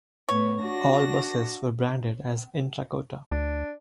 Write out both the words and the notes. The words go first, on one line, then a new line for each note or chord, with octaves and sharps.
All buses were branded as Intrakota.
A2 B3 C#5
D4 F#4 A#6
D2 D4